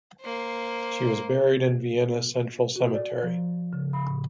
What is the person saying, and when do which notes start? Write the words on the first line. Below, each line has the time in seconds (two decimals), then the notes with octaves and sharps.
She was buried in Vienna Central Cemetery.
0.21 A#3 C5
2.76 F#4
2.94 D5
3.23 F3
3.73 C#3
3.93 B5
4.07 A2